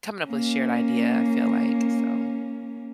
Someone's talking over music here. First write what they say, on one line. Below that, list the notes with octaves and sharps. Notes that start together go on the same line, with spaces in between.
coming up with a shared idea, I feel like, so
A#3 C#4